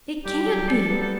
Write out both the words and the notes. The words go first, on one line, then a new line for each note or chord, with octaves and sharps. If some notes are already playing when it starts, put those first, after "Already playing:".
It CAN'T be.
G3 G4
F#3
G3 A4
B3
B3 A4